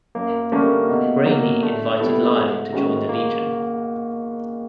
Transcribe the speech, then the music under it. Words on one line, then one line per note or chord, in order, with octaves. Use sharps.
Brainy invited Lyle to join the Legion.
F#2 A#3
D3 G3 A3 A#3 C#4
B2
F#3 A#3
D3 A3
G3 B3 E4 A4
G#2
D#3 G#3 C#4 F#4
A#3